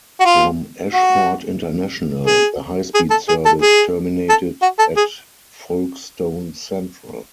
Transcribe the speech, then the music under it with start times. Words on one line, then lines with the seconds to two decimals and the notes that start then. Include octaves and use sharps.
From Ashford International, the High Speed service terminated at Folkestone Central.
0.20 F#4
0.25 F4
0.93 F#4
2.26 G#4
2.94 G#4
3.10 A4
3.28 G#4
3.45 A4
3.62 G#4
4.29 A4
4.62 F#4
4.79 A4
4.96 G#4